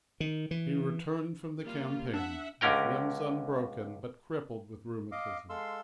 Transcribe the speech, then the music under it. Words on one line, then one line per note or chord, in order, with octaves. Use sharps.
He returned from the campaign with limbs unbroken but crippled with rheumatism.
D#3
E3
G3 A#3 F4
D4 E5 F#5
C#2 D3 C#4 A#4 G5
D#5 F5 D6
G#3 A4 F5 C6 E6